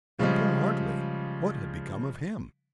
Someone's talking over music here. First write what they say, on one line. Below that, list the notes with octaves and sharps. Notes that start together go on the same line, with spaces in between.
And poor Hartly--what had become of him?
C#3 F3 G3 G#3